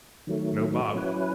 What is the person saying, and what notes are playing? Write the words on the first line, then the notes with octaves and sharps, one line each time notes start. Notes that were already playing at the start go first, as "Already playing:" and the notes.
No Bob.
D#3 F#3 A3
F#3 C#4 E4 B4